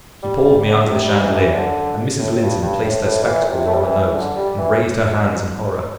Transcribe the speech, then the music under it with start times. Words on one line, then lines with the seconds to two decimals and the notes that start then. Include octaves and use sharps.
He pulled me under the chandelier, and Mrs. Linton placed her spectacles on her nose and raised her hands in horror.
0.23 G3
0.44 G3
0.66 D3
0.88 C3
1.04 G3
1.20 E3
1.31 D3
1.37 E3
1.53 D3
2.19 A2
2.31 A2
2.40 G2
2.62 G2
2.83 A2
3.06 A2
3.23 G3
3.27 E3
3.44 A2
3.49 C3
3.66 A3
3.74 G3
3.82 E3
4.03 E3
4.15 D3
4.36 G3
4.58 E3